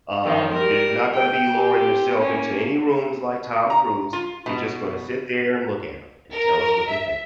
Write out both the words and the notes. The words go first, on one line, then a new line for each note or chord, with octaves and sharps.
um, you're not gonna be lowering yourself into any rooms like Tom Cruise, you're just gonna sit there and look at 'em and tell us what they're think"
D#3 F3
G3 A#4
G5
C4 G4
A#3 C#4
A#5
F4
B2
A#4
E5